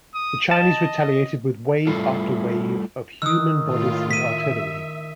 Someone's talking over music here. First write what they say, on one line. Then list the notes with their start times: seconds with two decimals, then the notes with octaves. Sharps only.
The Chinese retaliated with wave after wave of human bodies and artillery.
0.14 D#6
0.51 D#5 A5
1.87 G3 A3 E4 F4 A4
3.22 D#3 D#6 E6 F#6
3.61 A2 F4
4.11 E5 B6 D#7